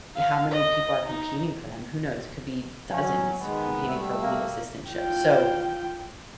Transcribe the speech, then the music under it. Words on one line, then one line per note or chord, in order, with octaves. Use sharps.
y how many people are competing for them, who knows? Could be dozens competing for one assistantship. So
F5
D#5
D#4
F#3 C#4
D#3 G#3 B3
G3 A3 E5
A#3
F4 G5